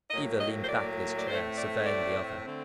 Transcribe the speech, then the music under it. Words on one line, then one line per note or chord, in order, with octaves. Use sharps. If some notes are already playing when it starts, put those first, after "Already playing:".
Either leaned back in his chair, surveying the other.
A2 F#3 A#3 D#5
D#5
C5
D5
D5
A2 A3 C4 C5
D5
D5
D3 A3 C4